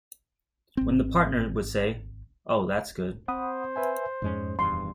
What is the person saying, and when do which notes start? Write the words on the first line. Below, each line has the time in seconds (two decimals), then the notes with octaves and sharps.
When the partner would say, Oh that's good!
0.77 G#1 C4
3.28 C4 C5 F#5 B5 D#6
3.76 B4 E5 G#5
4.22 F2 G#2 G#3 C#4
4.59 D#1 E2 G2 C6